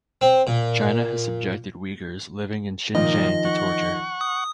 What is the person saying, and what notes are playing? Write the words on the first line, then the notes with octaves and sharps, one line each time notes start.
China has subjected Uyghurs living in Xinjiang to torture.
C4
A#2
A#2 D#3 F3 D#4 D#5
F#5 C#6
D#6